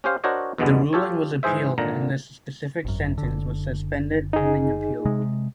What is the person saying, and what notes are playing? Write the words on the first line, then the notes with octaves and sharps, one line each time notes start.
The ruling was appealed and this specific sentence was suspended pending appeal.
C#4 G4 C5 F5
D4 F#4 A#4 C5 C#5 D#5
E2 G2 B2 D3 G#3 B3
F4 G4 A4 C#5
G#2 E3 G#4 C5 E5
G#1 A#2 D3 A#5
G#1 F#2
F#1 D3
D#4 G#4
C3 G#3